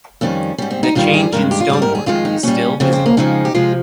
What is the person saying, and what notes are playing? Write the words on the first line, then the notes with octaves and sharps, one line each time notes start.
The change in stonework is still visible.
F2 D#3 G3 C#4
G#2 G3 C#4
C4
D#4
G2 D#3 G3 F4
G#4
G2 D#3 G#3 A#4
G4
F4
G#2 G3 G4
A#4
G#4
F2 D#3 G#3 F4
D#4
A#2 G3 C#4
F2 C#3 F3 C4
C4
A#3
F2 C#3 F3 G#3 D#4
G4
C3 F3 G#3 F4